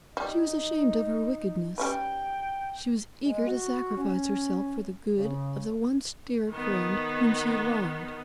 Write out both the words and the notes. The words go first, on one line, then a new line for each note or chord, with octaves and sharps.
She was ashamed of her wickedness; she was eager to sacrifice herself, for the good of the once-dear friend whom she had wronged.
G3 D#4
G3 C#4 B4 G5
G#3
F#4
C#4
C#3
D#3 B3